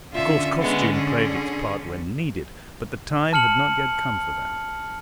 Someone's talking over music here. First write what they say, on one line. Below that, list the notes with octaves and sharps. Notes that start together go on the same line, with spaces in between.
Of course costume played its part when needed, but the time had not yet come for that.
D3 C#4 F4 E5
G#3 B3
G#4
A5 F6 C#7 F#7